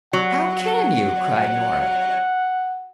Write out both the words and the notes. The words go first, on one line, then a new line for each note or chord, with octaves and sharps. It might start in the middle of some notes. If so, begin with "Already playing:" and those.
"How can you?" cried Nora.
F#3 F#5